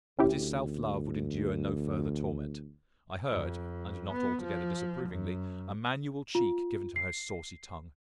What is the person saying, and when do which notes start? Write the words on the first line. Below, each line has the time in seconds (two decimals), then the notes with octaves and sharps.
But his self-love would endure no further torment: I heard, and not altogether disapprovingly, a manual check given to her saucy tongue.
0.19 D2 C#4 E4 G4
3.31 F2
4.11 B3
4.43 F3
5.10 F#2
6.35 F4
6.96 C7